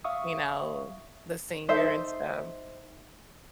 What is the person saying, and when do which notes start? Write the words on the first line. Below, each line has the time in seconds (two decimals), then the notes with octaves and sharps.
you know, the singer and stuff.
0.04 E5 F5 C#6 D#6
1.68 D#4 A4 C5 E5